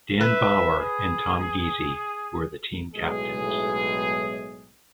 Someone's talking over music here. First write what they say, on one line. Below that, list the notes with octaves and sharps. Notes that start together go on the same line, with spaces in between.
Dan Bauer and Tom Gizzi were the team captains.
B4 E5
G#4
B1 A2 G#3 G#4